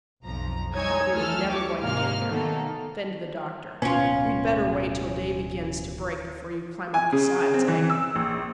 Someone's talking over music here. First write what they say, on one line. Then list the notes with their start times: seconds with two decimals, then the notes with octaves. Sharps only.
"I thought we were never going to get here." Then to the doctor, "We'd better wait till day begins to break before you climb up the sides, eh?"
0.24 B1 F2 F3 A#5
0.75 G3 D#4 C#5 G#5 E6 G#6
1.14 D2 A3 A4 G#5 E6 F6
1.49 G4 C#6 D6
1.81 G#2 C3 G#3 A#3 F5 F6
2.30 B2 D#3 F#3 A3 A#3 A4
3.82 D1 B2 B3 C#4 F4 G#5
6.94 G#5
7.12 C#3
7.54 C4
7.68 E3
7.90 E6
8.16 A#1